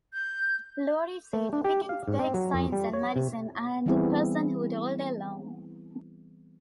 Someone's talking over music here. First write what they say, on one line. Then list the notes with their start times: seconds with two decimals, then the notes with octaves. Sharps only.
Lourie said, We can debate science and medicine and personhood all day long.
0.12 G6
1.33 A3
1.53 D4
1.64 G4
1.89 F5
2.08 G#2
2.19 C4
2.34 F#3
2.54 F2
2.72 G3
2.93 C#5
3.16 C3
3.86 E3 G3 B3 C4 E4 G#4